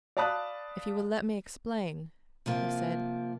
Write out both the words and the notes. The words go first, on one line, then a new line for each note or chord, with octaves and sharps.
"If you will let me explain," he said.
D5 F5 A5 B5 D#6 F#6
C3 F3 A#3